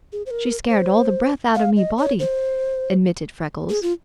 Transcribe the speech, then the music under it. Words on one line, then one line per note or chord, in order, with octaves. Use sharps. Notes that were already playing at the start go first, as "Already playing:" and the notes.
"She scared all the breath out of me body," admitted Freckles.
G#4
C5
A#4
C5
F5
D#5
C#5
C5
G#4
F4